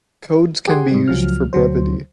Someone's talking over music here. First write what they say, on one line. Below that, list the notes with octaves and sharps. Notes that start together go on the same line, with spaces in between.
Codes can be used for brevity.
G4 G#4 F#5 G#5 C6
G#2 G3
C#2 F3 F#3 F6
D2 F#3 C5